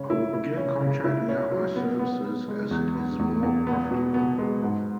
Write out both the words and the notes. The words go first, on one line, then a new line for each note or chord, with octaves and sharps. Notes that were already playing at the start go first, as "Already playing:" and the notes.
I will begin contracting out my services as it is more profitable.
Already playing: C#3 C#4
E4
E4
C#4
C#3
E4
C#4
F#3
B3
B3
B3
G#3
E2
B3
E2
E2
B3
B2
B3
G#3
G#2